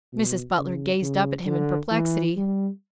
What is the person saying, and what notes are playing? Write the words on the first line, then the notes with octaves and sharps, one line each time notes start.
Mrs. Butler gazed up at him in perplexity.
B2
C#3
C#3
D3
E3
G3